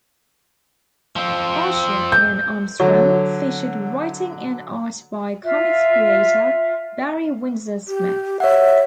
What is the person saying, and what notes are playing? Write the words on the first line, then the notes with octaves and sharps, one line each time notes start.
"Archer and Armstrong" featured writing and art by comics creator Barry Windsor-Smith.
F3 C4
G6
D3 F#3 C#5
F4 E5
G4
C#5 E5 F#5